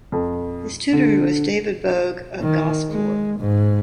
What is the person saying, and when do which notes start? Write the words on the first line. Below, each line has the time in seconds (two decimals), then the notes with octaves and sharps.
His tutor was David Bogue of Gosport.
0.12 F2
0.93 D3
2.41 D#3
2.91 G#3
3.39 G#2